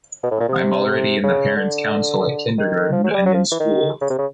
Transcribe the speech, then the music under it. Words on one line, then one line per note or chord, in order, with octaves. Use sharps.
I'm already in the parents' council at kindergarten and in school.
B2
A2
A#2
C3
C#3
D3
D#3
F3
F#3
G#3
G3
F#3
F3
E3
D#3
C#3
C3
C#3